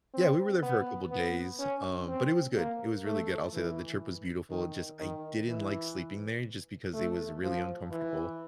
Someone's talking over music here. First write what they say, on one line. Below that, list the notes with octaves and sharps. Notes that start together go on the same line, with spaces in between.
Yeah, we were there for a couple days, um, but it was good. It was really good. I'll say that the trip was beautiful, it just I didn't like sleeping there just because it was really uncomfortable.
C4
B3
B3
C#4
C4
A#3
A3
E3
D#3
D#3
E3
A3
F3
E3